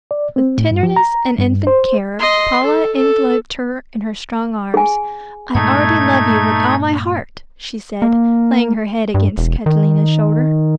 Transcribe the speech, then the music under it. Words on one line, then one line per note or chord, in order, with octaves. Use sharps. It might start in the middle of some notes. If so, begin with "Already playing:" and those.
With tenderness and infinite care Paula enveloped her in her strong arms. "I already love you with all my heart!" she said, laying her head against Catalina's shoulder.
D5
C4
A2
G2
F3
A#5
G2
C5
D#5 C6
A4
A4
G#4 G#5
G2 A#2 G#3 A3 D#4 G#6
A#3
G2
E1
D#3